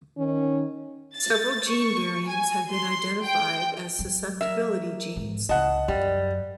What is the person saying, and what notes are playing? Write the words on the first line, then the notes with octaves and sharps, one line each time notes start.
Several gene variants have been identified as susceptibility genes.
D#3 C#4
A6
C#6
G#5
C6
G5
F#3
A#4 E5
G#2
C#2 D#5 F#5 A5
F#2 G3